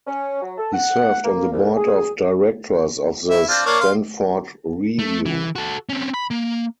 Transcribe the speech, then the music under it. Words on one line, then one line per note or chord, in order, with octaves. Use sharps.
He served on the board of directors of The Stanford Review.
C#4
F#3
A4
F#5
A#3
C2
G#4
E4
C4 D4 F4
A#3 D4 C#5
F5 C6
A3
E3
F#4 A4
C4 C#4
B5
A#3